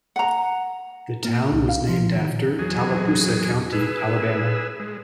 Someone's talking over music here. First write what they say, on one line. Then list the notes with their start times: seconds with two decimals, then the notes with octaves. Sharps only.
The town was named after Tallapoosa County, Alabama.
0.16 F#5 A#5
1.25 A#3
1.52 C2
1.69 F5
1.89 F3
2.16 D#3
2.59 E2 F#3 G#4
3.73 G#4 B4 E6
4.80 G#3